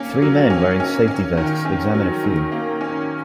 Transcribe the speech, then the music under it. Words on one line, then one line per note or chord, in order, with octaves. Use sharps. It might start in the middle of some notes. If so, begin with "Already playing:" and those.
Three men wearing safety vests examine a field.
Already playing: A#3 C#4
F#3
C#4
C#4
C#4
D#3
C#4
F#3
D#3
A#3
C#4